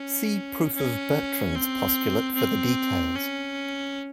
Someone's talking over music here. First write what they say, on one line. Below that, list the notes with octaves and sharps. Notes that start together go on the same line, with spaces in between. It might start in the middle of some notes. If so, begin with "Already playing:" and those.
See proof of Bertrand's postulate for the details.
Already playing: C#4
C#4
C4
C4
C#4